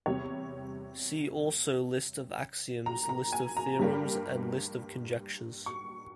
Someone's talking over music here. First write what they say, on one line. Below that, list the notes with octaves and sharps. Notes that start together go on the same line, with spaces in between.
See also list of axioms, list of theorems and list of conjectures.
E2 C3 G3 C#5
A#5
A#5
G#5
A#5
G2 G3 A#3
C#6